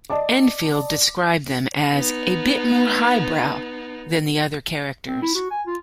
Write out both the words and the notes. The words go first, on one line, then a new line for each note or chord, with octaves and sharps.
Enfield described them as "a bit more highbrow" than the other characters.
D5 D#5 A5 D6
B3 D#4
C4
E4
F#4
G#5
F4